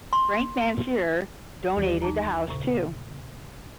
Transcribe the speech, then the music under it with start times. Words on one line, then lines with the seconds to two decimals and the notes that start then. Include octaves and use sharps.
Frank Mansur donated the house to.
0.13 C6
1.76 D#2 E3 G3 G4 D5
2.02 D#4 A5 A#5
2.48 E2 A#2 C#3